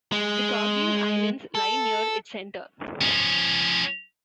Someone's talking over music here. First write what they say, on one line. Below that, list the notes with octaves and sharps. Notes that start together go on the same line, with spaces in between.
The Togian Islands lie near its center.
G#3
A4
F3 C#4